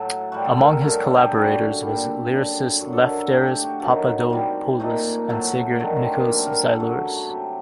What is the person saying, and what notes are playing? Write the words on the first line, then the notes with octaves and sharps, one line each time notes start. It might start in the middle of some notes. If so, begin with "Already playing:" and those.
Among his collaborators was lyricist Lefteris Papadopoulos and singer Nikos Xylouris.
Already playing: A2 F#3 A3
A2 G3 F#4
A4
A#4
A4
G2 F#3 A3 A#4
A4
G4
F#2 D3 G3 F#4
F#4
A#2 G3 A4
A4
G4
F#2 D3 G3
F#2 D3 F#3 F#4
A4
A#4
A4
A2 A3 G4
G4
F#4
F#2 D#3 F#3 A3
C3 G3
A#2 A3 D#4
A2 F#3 A3
F#2 D#3 A3 D4
C4
A#3
G2 F#3 A3
A#4
A4
F#2 F#3 A3 F#4
C3 F#3 A3 G4